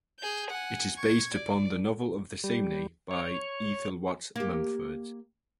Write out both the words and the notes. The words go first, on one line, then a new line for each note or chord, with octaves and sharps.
It is based upon the novel of the same name by Ethel Watts Mumford.
G#4 G6
F#5 G#5
C#6 G#6
D5
G3
C#5
A#3 G4